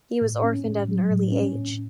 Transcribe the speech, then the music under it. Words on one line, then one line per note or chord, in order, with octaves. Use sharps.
He was orphaned at an early age.
A2
C#4
A2
F#3
A2
C#4
A2